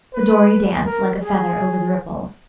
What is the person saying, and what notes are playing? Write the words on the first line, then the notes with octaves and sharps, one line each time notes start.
The dory danced like a feather over the ripples.
B4
A#4
G#4